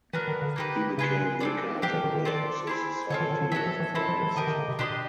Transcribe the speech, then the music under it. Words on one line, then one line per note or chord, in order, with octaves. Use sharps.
He became vicar general of the Society of Christ.
E3 B3 D4 F#4 A#4
D#3
D3
A#3 D#4 G4 B4
C#3 F4 G#4 B4
C4 F4 A4 D5
F3 D4 G4 A#4
E3
D#3
D#3
C4 F4 A4 D5
E4 G#4 C5
D3 F4 A4 C#5
E3
D#3
D3
E3 F#4 A4 C#5 E5
F3
E3
E3 C4 E4 A4
F3
E3
D#3 G4 A#4 D#5
D#3
D3
C3
B2 D4 G4 C5 D#5